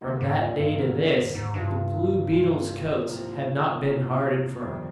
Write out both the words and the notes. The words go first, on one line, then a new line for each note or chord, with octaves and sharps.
From that day to this the blue beetles' coats have not been hard and firm.
D#2 D3 G3 A#3 D#4
G#2
A#2
G2
D#2 G#2 D3 G3 A#3 D#4
A#2
G#2
G#2
C2 G2 A#2 G3 D4 F4
C2 A#2 G3 D4 F4
A#2
C2 G#2 C3 F3 A#3
C2 C3 F3 A#3
G1 F2 D#3 G3 D4